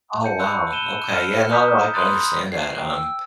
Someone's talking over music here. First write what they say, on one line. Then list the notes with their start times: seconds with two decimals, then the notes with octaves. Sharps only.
Oh, wow. Okay, yeah. No, no, I can understand that, um,
0.23 A5 G6 C#7
0.40 B5 E6 F#6
0.72 D#7 E7 G7
1.10 F6 C#7
1.51 A#5 D#6 G6 B6
1.94 B5 C6 D#6 F#6 A6
2.52 C7
2.78 G5
2.91 E6